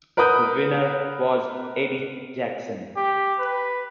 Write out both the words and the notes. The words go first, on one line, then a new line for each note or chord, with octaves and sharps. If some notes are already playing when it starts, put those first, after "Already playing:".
The winner was Eddie Jackson.
A#4 B4 F#5 B5 D#6 G6
G4
B4